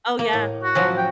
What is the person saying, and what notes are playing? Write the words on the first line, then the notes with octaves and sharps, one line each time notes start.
Oh, yeah.
A#3
A2
F#4
F3 F#3 C#4
G5